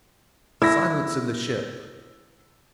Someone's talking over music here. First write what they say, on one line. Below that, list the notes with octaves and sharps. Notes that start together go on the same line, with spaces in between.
"Silence in the ship!"
E4 E6 A#6